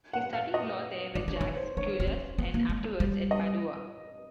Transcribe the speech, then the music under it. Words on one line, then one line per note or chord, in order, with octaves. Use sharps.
He studied law there with Jacques Cujas, and afterwards at Padua.
F#5
F5
D#5
D#4 D5
D4
C#5
D#4
C5
D4 C#5
C4
C#4
B3
A#3
G#3
G3
D#5